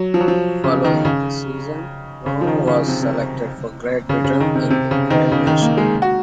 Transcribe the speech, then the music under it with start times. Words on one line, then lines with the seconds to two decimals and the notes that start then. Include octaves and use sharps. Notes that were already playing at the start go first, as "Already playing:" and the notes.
Following the season, Long was selected for Great Britain in the Tri nations.
Already playing: F#3
0.14 F3
0.20 F#3
0.28 F3
0.64 C#3
0.84 D#3
1.05 C#3
2.26 C#3
2.41 F3
2.47 D#3
2.67 C#3
2.88 C3
3.02 C3
4.09 C#3
4.24 C#3
4.40 D#3
4.55 C3
4.70 C3
4.91 C#3
5.10 D#3
5.32 C#3
5.47 D#3
5.62 A#3
5.77 G#3
6.02 F#4